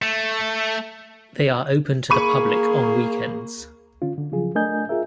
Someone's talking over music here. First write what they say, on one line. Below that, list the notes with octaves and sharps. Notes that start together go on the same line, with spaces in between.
They are open to the public on weekends.
A3
A#3 G#4 B5 C#6 D#7
D3 C#4 F4
D3
C#3 F3 F#3 F4 G#4
A3 D4 A#4 D#5 G#5 G6
F4 G#4 A#4 E5